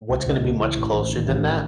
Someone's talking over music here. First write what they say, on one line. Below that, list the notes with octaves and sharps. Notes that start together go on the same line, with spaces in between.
what's gonna be much closer than that
C#2
C#2
C#2
E3
A1
A1
D#3
A1
D#3